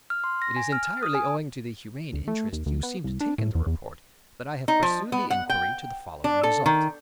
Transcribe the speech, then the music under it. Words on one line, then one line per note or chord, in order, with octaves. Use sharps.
It is entirely owing to the humane interest you seemed to take in the report, that I have pursued the inquiry to the following result.
F6
C6
A#6
G#5
F6
F6
D#6
G#5
D2
A3
D#2
D2
B3
C2
D4
A2
E2
E2
D#4
F3
B3
F#5
G5
D4
A4
D#3